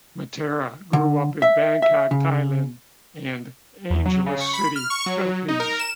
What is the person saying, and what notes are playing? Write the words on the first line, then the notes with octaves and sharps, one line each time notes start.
Matera grew up in Bangkok, Thailand, and Angeles City, Philippines.
D3
E5
E5
C#3
E2
F#3
C#3
C#6
B5
F6
C#6
F#3
D#4
A#4
E7